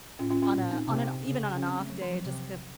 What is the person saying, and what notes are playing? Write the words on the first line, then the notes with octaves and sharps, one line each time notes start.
On a on an even on an off day just cuf
A2 C#4 F4
C#4 F4
C#4 F4
A#2
C4 D#4
C3
C#3
C#4
C4
A3
F#3
F3
F#3
C3